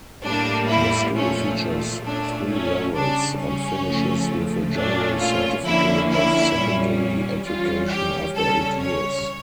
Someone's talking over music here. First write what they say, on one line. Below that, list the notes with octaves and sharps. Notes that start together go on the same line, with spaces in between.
The school features three levels and finishes with a general certificate of secondary education after eight years.
A2 G3 A#3 D4
E4
A#2 F3 A3 C#4
A#2 A3 C#4 D4
C#4
C#3 G3 C#4 D4
C#4
C#3 F3 A3
A#2 A3 C#4 D4
F4
D3 F3 A#3 C#4 E4
E4
A#2 G3 C#4
E3 G3 C#4 F4
G4
C#3 G3 C#4 A4
C#5